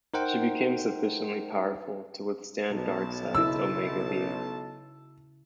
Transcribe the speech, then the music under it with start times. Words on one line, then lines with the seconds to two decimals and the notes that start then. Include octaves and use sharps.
She became sufficiently powerful to withstand Darkseid's Omega Beams.
0.14 D#4 A#4 C5 F#5 G5
2.70 B1 A5
3.35 C#3 E4 E6